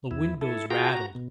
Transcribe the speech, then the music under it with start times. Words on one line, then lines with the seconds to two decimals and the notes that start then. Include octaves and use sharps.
The windows rattled.
0.11 E2 E4
0.41 E4 A4
0.71 F4 F#4 G#4 G5 A#5
0.91 F#4 A#5
1.15 B2